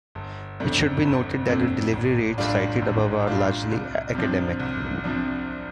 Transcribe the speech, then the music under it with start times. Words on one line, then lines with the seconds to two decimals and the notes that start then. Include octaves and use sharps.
It should be noted that the delivery rates cited above are largely academic.
0.15 G1
0.60 F2 C3 A3 D4
1.05 G1
1.49 F2 C3 A3 D4
1.93 A1
2.38 A2 G3 D4 F4
2.82 A1
3.27 A2 G3 D4 F4
3.71 C2
4.15 C3 F3 D4
4.60 C2
5.04 C3 F3 D4